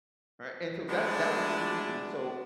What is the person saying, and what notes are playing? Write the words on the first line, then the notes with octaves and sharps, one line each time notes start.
Right? And so that that was the condition. And so
G#3 A3 B3 D4